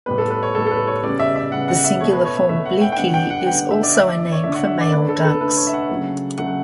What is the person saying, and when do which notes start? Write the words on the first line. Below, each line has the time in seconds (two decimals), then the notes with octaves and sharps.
The singular form "Bliki" is also a name for male ducks.
0.06 A2 G3 B3 B4
0.18 A4
0.31 B4
0.43 C#5
0.55 A2 G3 B3 A4
0.67 A4
0.71 B4
0.87 C#5
1.03 C#3 G3 B3 D5
1.20 E5
1.36 E5
1.52 C#3 G3 B3 F#5
1.68 F#5
1.84 E5
2.00 B2 A3 C#5
2.13 B4
2.25 C#5
2.37 E5
2.49 B2 A3 E5
2.65 F#5
2.81 G5
2.92 G5
2.97 D3 G3 B3 F#5
3.14 G5
3.30 F#5
3.46 D3 G3 B3 G5
3.59 F#5
3.71 E5
3.83 D5
3.95 D3 A3 E5
4.08 D5
4.19 D5
4.32 C#5
4.44 D3 A3 E5
4.55 F#5
4.67 E5
4.80 D5
4.92 D3 A3 B4
5.09 A4
5.20 B4
5.25 A4
5.41 D3 A3 B4
5.57 C#5
5.67 E5
5.73 F#5
5.90 C#3 F#3 A3
6.38 C#3 F#3 A3 F#5